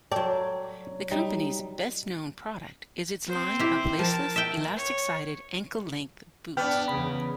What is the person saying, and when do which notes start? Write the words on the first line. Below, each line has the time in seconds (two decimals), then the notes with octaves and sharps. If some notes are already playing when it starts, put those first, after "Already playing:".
The company's best-known product is its line of laceless, elastic-sided, ankle-length boots.
0.12 F#3 A4 D5 G5
1.11 G3 D#4
3.28 C4 C5
3.59 E4 G4
3.99 F3 A#4 A5
4.36 E5 G5
4.77 C#5
6.57 B3 D4 G5 F6
6.88 E2 C#3 B5